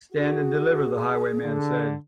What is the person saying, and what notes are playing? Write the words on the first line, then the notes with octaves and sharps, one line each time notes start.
Stand and deliver, the highwayman said.
F#4 G#4
D3